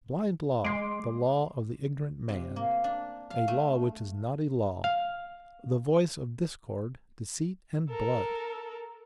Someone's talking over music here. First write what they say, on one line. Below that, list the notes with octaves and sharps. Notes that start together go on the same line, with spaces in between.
Blind law; the law of the ignorant man; a law which is not a law; the voice of discord, deceit, and blood!
G#3 C6 D6
C3
A#3
D4
F5
A3
F5
A4 A#4